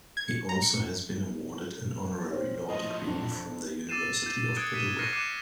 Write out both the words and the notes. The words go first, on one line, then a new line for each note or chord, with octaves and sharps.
He also has been awarded an honorary law degree from the University of Padua.
G#6
C#7
A#5
C#7
F2
C4 C#4
A2 F3 D#5
F2 D4
D6 E6 A6 C7 D#7 E7
G6 C7
D#6 F#6 G#6 C#7 D7 G7
B6 D#7 E7 G7
F6 F#6 A#6 C7 C#7 D#7
D6 F#6 C7 C#7 D#7 E7